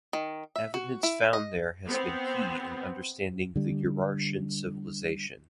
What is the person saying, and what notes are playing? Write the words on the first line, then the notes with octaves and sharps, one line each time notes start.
Evidence found there has been key in understanding the Urartian civilization.
D#3
E5
F#4
E4
D#5
B3 C4
D3 G3